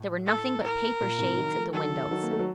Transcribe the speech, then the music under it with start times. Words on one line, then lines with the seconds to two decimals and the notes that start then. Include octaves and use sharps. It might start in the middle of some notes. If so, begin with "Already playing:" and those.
There were nothing but paper shades at the windows.
Already playing: A2
0.27 A4
0.64 A#4
1.01 A#2
1.18 A2 C3
1.37 D#3 F#3
1.55 F3 A3
1.74 D#3 F#3 A4
2.11 D#3 F#3
2.23 A#3
2.31 A3
2.39 F#3